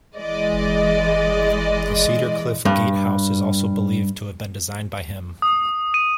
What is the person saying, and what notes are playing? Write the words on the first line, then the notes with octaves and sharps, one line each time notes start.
The Cedarcliff Gatehouse is also believed to have been designed by him.
E3 G#3 D5 D#5
G2
D#6
D#7